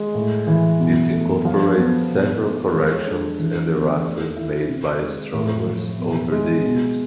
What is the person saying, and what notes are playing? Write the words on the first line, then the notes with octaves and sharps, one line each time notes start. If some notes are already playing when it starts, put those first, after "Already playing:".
It incorporates several corrections and errata made by astronomers over the years.
Already playing: G#3
A2
E3
B2
A3
F3
B3
B2
A3
G#3
D4
E3
B3
A3
E4
C3
G#3
A2
F3
B2
G#3
B2